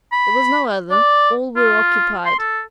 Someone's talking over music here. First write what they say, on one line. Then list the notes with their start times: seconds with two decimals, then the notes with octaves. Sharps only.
There was no other, all were occupied.
0.12 B5
0.91 D5
1.56 F4
2.25 C6
2.39 A4